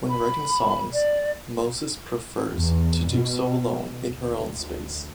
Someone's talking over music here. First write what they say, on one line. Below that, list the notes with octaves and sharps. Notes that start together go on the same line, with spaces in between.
When writing songs Moses prefers to do so alone in her own space.
B5
D5
E2
B2
D2